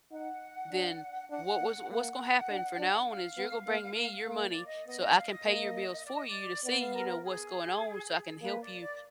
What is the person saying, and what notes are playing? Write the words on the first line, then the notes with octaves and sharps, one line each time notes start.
then, what was what's gonna happen from now on is you're gonna bring me your money, so I can pay your bills for you to see, you know, what's going on, so I can help you,
D#4 F#5
D4
D4 F#5
A#3
A#3 F#5
D4
D4
F5
B3
A#3
A#3
A#3
D5
D#5
B3 D#5
D#5
F5
D#5
A#3
D5
D#5
D5
B3 D5
F5
A#4
A#4
G#4
A#3 B4
D5
D5